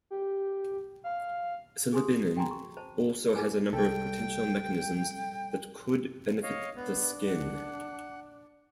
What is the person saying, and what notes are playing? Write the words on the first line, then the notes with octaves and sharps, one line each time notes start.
Silibinin also has a number of potential mechanisms that could benefit the skin.
G4
F5
G#4 G#5 C6 D#6
F#4 G5 G#5 A#5 C6
C#6
C5 A5
D#4 F4 G#4 B4 G#5 D6
C2 G3 A4 G5
C#5 D#5 F5
B3 D4
F#5